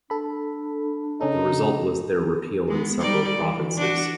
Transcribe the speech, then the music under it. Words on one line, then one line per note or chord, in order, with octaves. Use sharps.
The result was their repeal in several provinces.
D4 A4 B5
C#3 C#4 D#4 A4
G#3 B3
G3 D#4 D5
E3
D4 F#4